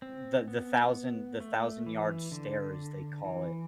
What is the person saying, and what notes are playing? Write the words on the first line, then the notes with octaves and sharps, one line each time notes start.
the the thousand the thousand-yard stare, as they call it.
C4
B3
A3
E3
D3
E3